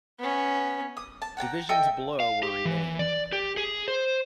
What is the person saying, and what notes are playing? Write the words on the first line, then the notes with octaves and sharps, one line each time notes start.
Divisions below were renamed.
B3 C#4
D#6
A5
F#5 G5 A5 A#5
A4 D#5 E5 G5
F5
G4
E3
D5
G4
G#4
C5